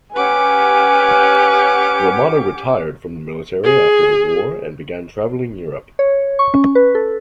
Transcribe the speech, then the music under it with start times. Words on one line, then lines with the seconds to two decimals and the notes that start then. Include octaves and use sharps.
Romana retired from the military after the war and began travelling Europe.
0.16 C#4 G4 B4 F#5 G#5 D6
3.64 G#4
5.99 C#5
6.39 C#6
6.54 C#4
6.75 B4
6.95 A4